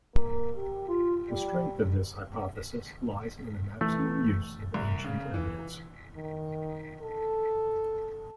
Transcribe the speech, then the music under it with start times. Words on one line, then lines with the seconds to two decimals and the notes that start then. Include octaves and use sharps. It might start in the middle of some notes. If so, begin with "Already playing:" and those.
The strength of this hypothesis lies in the maximum use of ancient evidence.
0.15 A#3
0.55 G4
0.88 F4
1.30 G3
3.81 E3 A3
4.74 C2
5.04 C#3
5.34 E3
6.14 D#3
7.01 A4